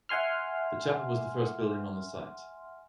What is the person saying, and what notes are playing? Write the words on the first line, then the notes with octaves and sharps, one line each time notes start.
The chapel was the first building on the site.
E5 F#5 G#5 C6 F6